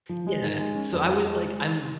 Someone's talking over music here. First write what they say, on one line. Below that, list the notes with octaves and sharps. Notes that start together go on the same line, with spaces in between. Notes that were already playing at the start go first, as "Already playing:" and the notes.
Yeah. So, I was, like, I'm
F3
G#3
D#3
G#3
C#4
F2
F3
G#3